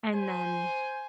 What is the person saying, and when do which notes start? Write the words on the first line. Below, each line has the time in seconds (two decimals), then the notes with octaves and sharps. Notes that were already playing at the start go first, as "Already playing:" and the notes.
And then,
0.14 C5 G#5